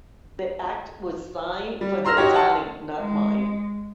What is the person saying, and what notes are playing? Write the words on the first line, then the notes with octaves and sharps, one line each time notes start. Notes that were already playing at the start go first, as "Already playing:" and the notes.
The act was signed for their talent not mine.
G3
A#5 C6 E6 F6 A#6
D#4 F#4 G4 C#5
F#5 A5 C6
G#3